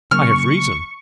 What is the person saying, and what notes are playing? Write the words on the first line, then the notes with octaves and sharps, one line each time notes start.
I have reason.
C#3 F#3 A#3 C#6 F6